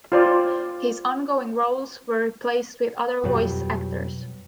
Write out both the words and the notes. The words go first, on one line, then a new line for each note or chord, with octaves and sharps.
His ongoing roles were replaced with other voice actors.
F4 C5 D5
F2 B2 F#3 G3